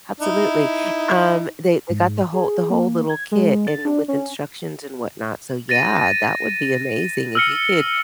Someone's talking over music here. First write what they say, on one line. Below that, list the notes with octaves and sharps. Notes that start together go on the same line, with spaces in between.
Absolutely, um, they they got the whole the whole little kit and with instructions and whatnot. So yeah, that would be amazing if you could
D#4 E4
G#2
G#4
A#3
G#6
G#3
A6
D4
C#4
A6 A#6 D#7
E6 F6 C#7